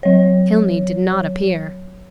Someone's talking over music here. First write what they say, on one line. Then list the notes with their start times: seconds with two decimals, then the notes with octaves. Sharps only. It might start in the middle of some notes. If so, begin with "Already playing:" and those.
Tilney did not appear.
0.03 F#3 C#5